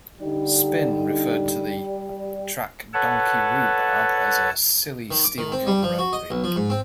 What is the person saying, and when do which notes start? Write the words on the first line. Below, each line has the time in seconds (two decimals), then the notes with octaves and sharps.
"Spin" referred to the track "Donkey Rhubarb" as a "silly steel drum reverie".
0.21 D3 G3 D#4
2.94 A4 B4 C#5 F#5 A5
5.11 D#3
5.24 D6
5.38 D#3
5.52 C4
5.67 G3
5.83 F3
5.99 F#4
6.13 D#5
6.30 B1
6.44 F3
6.56 G#2
6.70 C4